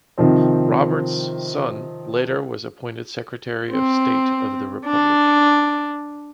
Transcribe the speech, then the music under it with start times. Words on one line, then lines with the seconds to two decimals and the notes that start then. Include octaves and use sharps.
Roberts' son later was appointed Secretary of State of the Republic.
0.18 C3 D#3 F3 C4
3.72 C4
4.86 D4